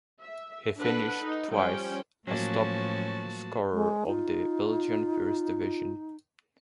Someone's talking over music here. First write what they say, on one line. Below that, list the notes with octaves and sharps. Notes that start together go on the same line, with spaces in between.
He finished twice as top scorer of the Belgian First Division.
E5
D4 A4 B4 F#5
D#4
F3 G3 C#4 G5
A2 F3 F#3 A#3 C#4 F#4 A5
G#3
D#4 F4